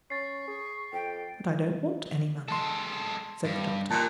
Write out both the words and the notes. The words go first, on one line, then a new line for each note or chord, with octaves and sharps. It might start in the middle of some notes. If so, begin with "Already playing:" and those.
"But I don't want any money," said the Doctor.
C#4 C#6 A6 C7
G#4
F2 G5
G#3 A4 A5 C6
G2
D#2 A#2 D#3 A5 F#6